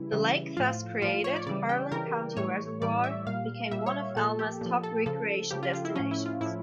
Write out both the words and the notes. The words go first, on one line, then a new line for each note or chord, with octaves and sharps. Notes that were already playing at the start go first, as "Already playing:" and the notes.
The lake thus created, Harlan County Reservoir, became one of Alma's top recreation destinations.
Already playing: C#3 E3 G3 E4
C#3 E3 G3
A2 F3 F4
A2 F3 F4
C#5
D5
C#3 E3 G3 D5
G5
C#3 E3 G3 A#4
A2 E3 G3 C#5
A2 E3 G3 D5
E5
A#2 G3 F5
A#2 G3 E5
C#5
A#2 F3 A4
G4
A#2 F3
A4
C#3 F3 A4
C#3 F3 G4
F4
F4
E4
A2 F3 C#4
E4
F4
A2 F3 E4